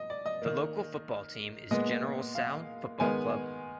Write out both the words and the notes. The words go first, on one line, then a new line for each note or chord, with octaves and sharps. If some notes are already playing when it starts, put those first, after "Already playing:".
The local football team is General Sal Football club.
Already playing: D#5
D5
D#5
D#3 A#3
A#2 G#3 B3 D#5
F5
D#3 G#3 B3 G#5